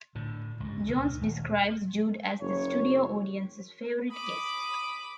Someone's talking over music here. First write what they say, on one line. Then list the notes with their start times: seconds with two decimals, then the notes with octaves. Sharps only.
Jones describes Jude as the studio audience's favorite guest.
0.15 A2 D3
0.60 C#2 G2
0.88 D2 B2
1.21 D#1
2.41 F#1 C#5
4.12 B5 D6 D#6